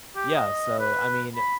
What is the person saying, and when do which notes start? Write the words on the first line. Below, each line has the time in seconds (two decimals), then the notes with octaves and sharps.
Yeah, so, I mean,
0.16 G4
0.36 D#5
0.80 B4
1.36 B5